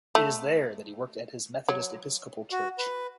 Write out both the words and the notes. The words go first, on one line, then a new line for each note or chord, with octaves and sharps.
It is there that he worked at his Methodist Episcopal Church.
A3
F#3
F#4
B4